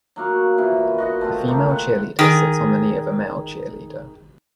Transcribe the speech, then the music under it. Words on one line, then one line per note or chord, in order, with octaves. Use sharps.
A female cheerleader sits on the knee of a male cheerleader.
F#3 A#3 F5 C#6
A#2 E3 B3 E4
F#4 D#5 F#5
A3 B3 C4 F4
A3 A#3 C4
B3 B4 F#5
D#3 G#4